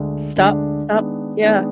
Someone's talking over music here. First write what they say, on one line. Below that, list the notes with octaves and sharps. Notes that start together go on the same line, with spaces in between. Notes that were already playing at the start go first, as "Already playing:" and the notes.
Stop stop yeah.
Already playing: D2 D3 G#3 D4
D2 D3 G#3 D4
D#3 G#3 B3 D4
D#3 G#3 B3 D4